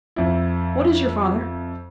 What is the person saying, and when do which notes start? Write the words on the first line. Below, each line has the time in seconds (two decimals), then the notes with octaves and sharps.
'What is your father?'
0.16 F2 E4